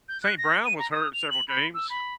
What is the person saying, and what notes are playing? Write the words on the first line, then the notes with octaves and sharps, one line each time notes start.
St. Brown was hurt in several games.
G6
F#6
A#6
D#7
A#5
D#6
F7
F#7
B5
E6
B5